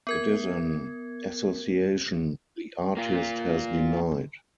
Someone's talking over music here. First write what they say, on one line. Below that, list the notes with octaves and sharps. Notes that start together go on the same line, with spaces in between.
It is an association the artist has denied.
B3 A#4 G#6
A#3 F4